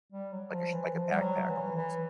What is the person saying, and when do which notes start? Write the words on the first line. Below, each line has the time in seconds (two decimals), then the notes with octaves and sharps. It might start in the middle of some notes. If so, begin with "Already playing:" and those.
like a like a backpack almost.
0.12 G3
0.32 F#3
0.53 F3
0.73 E3
0.94 F3
1.11 G3
1.21 F#3
1.48 E3
1.76 E3